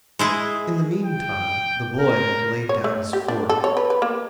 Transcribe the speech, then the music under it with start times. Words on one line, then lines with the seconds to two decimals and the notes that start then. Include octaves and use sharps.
In the meantime the boy had laid down his fork.
0.19 G#3 E4 G#4
1.05 G5
1.99 A#4
2.69 C#5
2.84 A3
3.13 G4
3.28 D4
3.49 A4
3.64 C#5
3.77 B4
3.90 B4
4.02 A#3